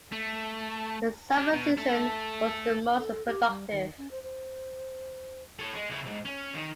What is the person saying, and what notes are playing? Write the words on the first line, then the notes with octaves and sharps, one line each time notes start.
The summer season was the most productive.
A3
D4 G4
B2
A4 E5
A4
G4
G3
D#3
C#4
C5
C5
A4 C#5
G#3
C#3 E4
B1 G#2
C#4
D#3